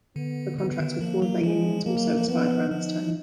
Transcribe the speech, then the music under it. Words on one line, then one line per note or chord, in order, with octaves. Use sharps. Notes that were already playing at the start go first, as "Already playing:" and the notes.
The contracts with four of their unions also expired around this time.
D3 B3
D3 B3
D3
D#3
F3 A#3
F#3
F3 G#3
F3 A#3
F#3
F3
F3
F3 B3
F3 D#4